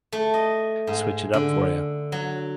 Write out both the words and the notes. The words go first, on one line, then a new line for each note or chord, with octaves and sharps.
switch it up for ya.
A3
D#5
G#2
D3
F#3